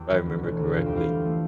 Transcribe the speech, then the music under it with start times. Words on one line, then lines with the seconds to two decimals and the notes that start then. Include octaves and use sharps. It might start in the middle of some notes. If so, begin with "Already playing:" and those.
I remember correctly.
Already playing: E2 G4
0.10 E3
0.26 D2
0.43 E1
0.59 D2
0.75 F2 F4
0.86 G4
0.93 E3 F4
1.08 G3
1.25 A3